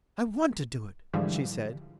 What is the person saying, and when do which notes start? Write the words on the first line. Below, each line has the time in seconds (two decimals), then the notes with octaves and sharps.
"I want to do it," she said.
1.14 G#2 D3 E3 F3 G3